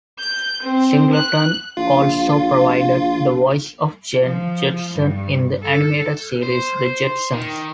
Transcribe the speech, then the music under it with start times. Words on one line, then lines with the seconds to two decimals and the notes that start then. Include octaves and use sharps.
Singleton also provided the voice of Jane Jetson in the animated series "The Jetsons".
0.19 G6
0.63 C4
1.14 F#6
1.77 A#1 F4
4.21 F3
4.93 G2
5.62 A4
6.43 C5
7.33 D#3